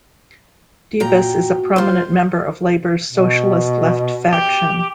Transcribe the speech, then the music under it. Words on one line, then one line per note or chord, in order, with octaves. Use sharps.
Debus is a prominent member of Labor's Socialist Left faction.
A#2 F#4 G5 A#5
F4 C5
B2
G4